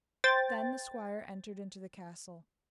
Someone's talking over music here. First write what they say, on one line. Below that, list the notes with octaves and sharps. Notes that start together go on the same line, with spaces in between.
Then the squire entered into the castle.
C5 G5 A6